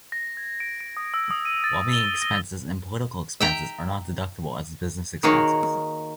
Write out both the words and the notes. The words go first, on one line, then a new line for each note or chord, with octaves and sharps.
Lobbying expenses and political expenses are not deductible as business expenses.
A#6
G#6
D7
D7
D#6
E6
D#6
D#7
A6
G7
A#6
E5 G5 A#5
D#3 A#3 F#4 G#4 C#5